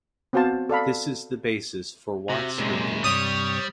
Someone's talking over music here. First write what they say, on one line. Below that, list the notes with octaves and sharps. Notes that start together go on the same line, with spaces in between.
This is the basis for Watt's linkage.
B3 C4 F#4 C5 F5 A5
A4 D5 F5 B5
C3 F#4 E5
F#2 A#2 C#3 G#3
G2 C3 G3 C#5 D#6